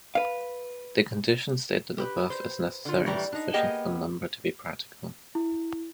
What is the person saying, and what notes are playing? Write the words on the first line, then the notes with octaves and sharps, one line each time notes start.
The condition stated above is necessary and sufficient for a number to be practical.
B4 F5
G4 B4
C5
D3 F4
A2 E3 G3 A#5
D4 D#4
A#3 B3 G4 G#4 D#5 G5
E4